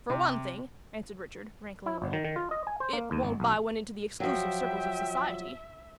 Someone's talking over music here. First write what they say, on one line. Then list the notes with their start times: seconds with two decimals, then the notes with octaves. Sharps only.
"For one thing," answered Richard, rankling a little, "it won't buy one into the exclusive circles of society."
0.10 C3
1.86 E4
2.02 G1
2.13 D#3
2.25 D#3
2.36 F4
2.51 D#5
2.67 G#5
2.80 C5
2.93 A#3
3.11 D#2
3.23 G#1
3.40 B1
4.20 F3 F#3 E5 G5